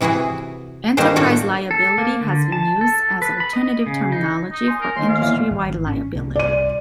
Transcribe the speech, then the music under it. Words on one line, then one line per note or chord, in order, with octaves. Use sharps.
Enterprise Liability has been used as alternative terminology for Industry-Wide Liability.
C3 E3 E4 F#4 G#4
D#3 G3 A#3 B3 D4 C5
A2 A#3 D4 F#4 A4
A4
A#3
D3
A5
A4
B4
B5
D#5
C#3
D#4
D#4
G#5 C6
A#4
D#2 D#3 C6
F5
E2 A#2 E3
G#1
C#4
C2
D5 D#7